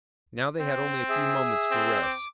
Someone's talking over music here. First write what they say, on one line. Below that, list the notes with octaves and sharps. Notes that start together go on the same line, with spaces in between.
Now they had only a few moments for rest.
C4
G#4 E5
C4
D6